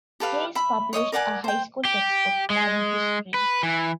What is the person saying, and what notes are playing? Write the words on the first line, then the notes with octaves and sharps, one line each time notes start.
Hayes published a high school textbook, Modern History.
G4 A4 B4 F5
E5 B5
C#5 D#5 E5 D#6
A#4 D5 F#5 G#5
C5 G5
G4
G#3
B4
E3